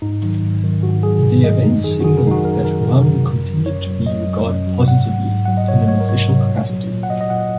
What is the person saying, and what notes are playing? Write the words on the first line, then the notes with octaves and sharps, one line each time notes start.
The event signalled that Huang continued to be regarded positively in an official capacity.
G#2 D#4
D#3 F#3
G#2
D#3 F#3
G#2 F#4
D#3 F#3 G#4
G#2
D#3 F#3 D#5
F#2 D#4
D#3 F#3 G#4
F#4
F#2 G#4
A#4
D#3 F#3 D#4
F#4
F#2 A#4
D#3 F#3 A#4
F#2
D#3 F#3
F#2
F#3
F#2 C#5
F#3
F#2 D#5
F#3
F#2
F#3
G#2 F#5
F#3
G#2
F#3 F#5
D#5
G#2 C#5
F#3 C#5
A#4
G#2 C#5
F#3
A#2
F#3
A#2
F#5
F#3 D#5
D#5
A#2 F#5